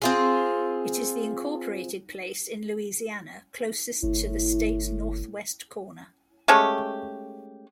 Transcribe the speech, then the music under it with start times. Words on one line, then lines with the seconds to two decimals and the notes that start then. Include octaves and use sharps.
It is the incorporated place in Louisiana closest to the state's northwest corner.
0.02 C4 F4 G#4
4.03 G1 A2 E4
6.48 G#3 A3 C#4 G4